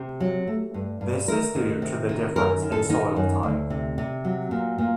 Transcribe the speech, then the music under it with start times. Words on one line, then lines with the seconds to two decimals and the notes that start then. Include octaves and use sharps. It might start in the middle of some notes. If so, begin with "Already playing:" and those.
This is due to the difference in soil type.
Already playing: C3 G4
0.20 F#3
0.47 A3
0.74 G2
1.01 G2
1.28 A3 A#4
1.55 D#3
1.82 C3
2.09 D#3
2.35 F#2 A#4
2.62 D#3
2.72 A4
2.89 D#3 D#4
3.16 F#2
3.43 D2
3.70 C3
3.98 C3
4.25 F#3
4.51 A#2
4.78 A#2